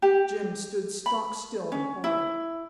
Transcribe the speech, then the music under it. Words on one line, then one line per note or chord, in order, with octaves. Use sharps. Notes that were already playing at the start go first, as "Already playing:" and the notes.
Jim stood stock still in horror.
G4
B5
C#4
E4